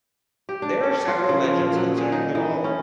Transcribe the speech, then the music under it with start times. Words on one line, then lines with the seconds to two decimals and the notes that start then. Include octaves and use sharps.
There are several legends concerning the wall.
0.49 G4
0.62 D4
0.83 A4
1.08 F4
1.29 C#3
1.44 F3
1.59 A#2
1.76 F#3
1.98 G#4
2.12 D#4
2.35 E3
2.64 C#4